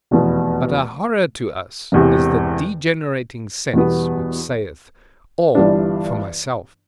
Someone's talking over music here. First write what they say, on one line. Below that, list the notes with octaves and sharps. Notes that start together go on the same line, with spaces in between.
But a horror to us is the degenerating sense, which saith: "All for myself."
F1 E2 B2 B3
E1 E2 C3
E2 B2 G3 B3
G1 G2 E3 G3 D4